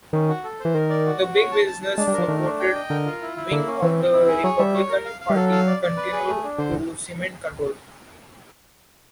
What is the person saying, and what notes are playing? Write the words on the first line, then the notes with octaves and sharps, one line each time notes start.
The big business-supported wing of the Republican Party continued to cement control.
D#3 C#4
F#4
A4
C5
E3
D#3 A#4
D5
F#4
F#4
C#5
A5
A5
A5
G#3 D4
G3
A#4
F3
D#3 A3
D4
G5
D#5
D3 A#4
F4
E4
E4
D3 A#3
C#4
E3 C4
C4
E4
G#4
F#3 C#5
G3 E5
C#5
A#4
F5
F5
G3
F#3 A4
F5
D5
D5
B4
G#4
A3
D4
D3 C5